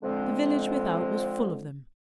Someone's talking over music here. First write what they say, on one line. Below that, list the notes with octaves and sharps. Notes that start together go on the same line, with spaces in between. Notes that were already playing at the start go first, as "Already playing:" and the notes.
The village without was full of them.
D3 F3 G#3 C4